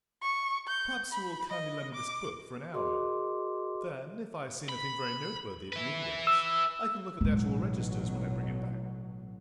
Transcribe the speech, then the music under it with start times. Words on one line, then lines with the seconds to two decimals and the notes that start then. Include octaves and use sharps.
"Perhaps you will kindly lend me this book for an hour?--then, if I see anything very noteworthy in the index, I can look at the actual registers when I bring it back."
0.21 C#6
0.67 G6
1.10 B5
1.49 D#5
1.94 D6
2.73 F#4 G#4 A#4 D#5 C6 D6
4.69 B5
5.73 B4 E5
6.27 E6
7.21 A1 B2 F#3 G#3 D#4